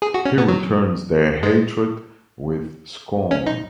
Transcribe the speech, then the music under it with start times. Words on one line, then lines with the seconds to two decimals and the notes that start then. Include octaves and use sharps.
He returns their hatred with scorn.
0.02 G#4
0.14 F#4
0.26 C#4
0.38 B3
0.48 F#3
1.43 G#3
3.31 C#4
3.46 D#4